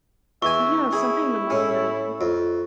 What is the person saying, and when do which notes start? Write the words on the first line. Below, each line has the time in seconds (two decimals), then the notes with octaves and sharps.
yeah, something in the moment
0.42 E2 E5 G#5 C#6
0.93 E4 G#4
1.50 A2 C#4
2.21 F2